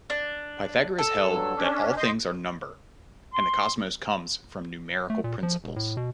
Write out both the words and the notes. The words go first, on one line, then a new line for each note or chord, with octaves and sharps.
Pythagoras held that all things are number, and the cosmos comes from numerical principles.
D4
A4
G2 F#3
C#4 D4
D#5 C6 G6
C6
A3
A#2
F3
E1
A2
B2